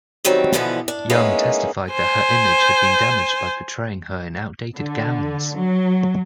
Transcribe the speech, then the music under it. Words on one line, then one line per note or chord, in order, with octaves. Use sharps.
Young testified that her image had been damaged by portraying her in outdated gowns.
D#3 F#3 G3 C4
B2 D3 E3 F3 B3
D4
G#3 A#3 B3 C#4 D#4 E4
C5 G#5
D3
F#3